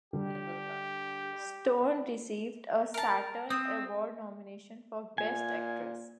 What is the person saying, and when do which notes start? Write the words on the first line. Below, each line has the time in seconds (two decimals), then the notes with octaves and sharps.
Stone received a Saturn Award nomination for Best Actress.
0.13 D3 G3 G4
2.94 A#4 A5
3.50 C4 D#6
5.18 A#2 G#5